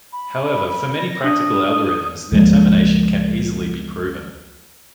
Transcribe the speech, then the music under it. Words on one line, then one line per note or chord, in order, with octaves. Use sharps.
However, for many practical algorithms, their termination can easily be proven.
B5
A#6
D4 D#6
C#2 F3 G#3 A#3